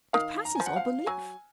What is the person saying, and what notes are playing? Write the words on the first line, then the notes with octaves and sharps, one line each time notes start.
It passes all belief.
D#3 F5
A#5
F3 G#5
F#5
F5
F#3 G#5